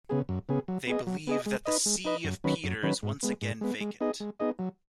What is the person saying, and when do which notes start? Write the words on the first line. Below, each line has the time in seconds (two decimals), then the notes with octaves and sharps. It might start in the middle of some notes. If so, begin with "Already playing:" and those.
They believe that the see of Peter is once again vacant.
0.09 C#3 B3 G#4
0.29 F#2
0.49 C#3 B3 G#4
0.68 F#3
0.87 B3 G#4 D#5
1.07 F#3
1.27 B3 G#4 D#5
1.46 G#3
1.66 D#4 B4 D#5
1.86 G#3
2.05 D#4 B4 D#5
2.24 F#2
2.44 D#3 F#3 C#4 B4
2.64 F#2
2.83 D#3 F#3 C#4 B4
3.03 G#2
3.23 G#3 B3
3.42 G#2
3.61 G#3 B3
3.81 G#3
4.01 B3 D#4 G#4 D#5
4.20 G#3
4.40 B3 D#4 G#4 D#5
4.59 F#3